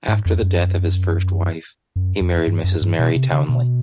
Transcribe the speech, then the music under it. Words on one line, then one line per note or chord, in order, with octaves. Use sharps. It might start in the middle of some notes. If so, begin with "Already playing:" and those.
After the death of his first wife, he married Mrs. Mary Townley.
G#2
F2
F#2
F#2
F2
G2
F#2
G2
B2
C3
C#3
B2